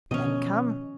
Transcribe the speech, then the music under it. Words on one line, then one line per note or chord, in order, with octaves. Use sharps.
"Then come."
B2 D#3 F3 C#4 D#5